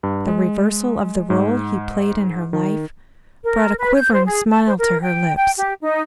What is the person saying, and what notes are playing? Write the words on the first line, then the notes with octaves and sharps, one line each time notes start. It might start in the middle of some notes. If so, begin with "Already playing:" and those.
The reversal of the role he played in her life brought a quivering smile to her lips.
G2
G#3
G#2
D#3
A#4
B4
G6
C5
G#4
A5
C5
A#4
G5
G5
G4
D#4